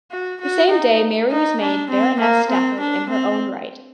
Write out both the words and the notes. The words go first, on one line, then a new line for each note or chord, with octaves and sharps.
The same day Mary was made Baroness Stafford in her own right.
F#4
F#4
D#4
D#4
D4
C4
A#3
C4
D4
C4